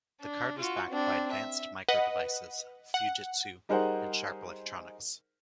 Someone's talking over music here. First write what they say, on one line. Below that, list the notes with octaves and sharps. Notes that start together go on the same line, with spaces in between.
The card was backed by Advanced Micro Devices, Fujitsu and Sharp Electronics.
D4
F4 F#4
C4 D4
E5
B4 D#5 F#5
F#5
G3 D#4 G#4 A#4 C5 F#5